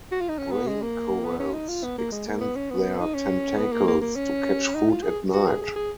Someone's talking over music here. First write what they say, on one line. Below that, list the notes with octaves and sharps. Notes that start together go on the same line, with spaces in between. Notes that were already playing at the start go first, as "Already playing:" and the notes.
Brain corals extend their tentacles to catch food at night.
F#4
F4
D#4
C#4
B3
G#3
A#3
B3
C#4
D#4
F4
B3
A#3
G#3
A#3
B3
C#4
B3
D#4
C#4
B3
A#3
A#3
A#3
C#4
D#4
F4
G#4
F#4
G#4
G#4
G#4